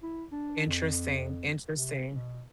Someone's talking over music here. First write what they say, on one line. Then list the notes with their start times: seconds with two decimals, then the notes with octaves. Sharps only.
Interesting, interesting.
0.03 E4
0.32 D4
0.67 F2
1.75 C3
2.15 B2